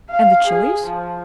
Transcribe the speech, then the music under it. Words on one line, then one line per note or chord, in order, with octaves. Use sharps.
"And the chilis?"
F5
G#4
F3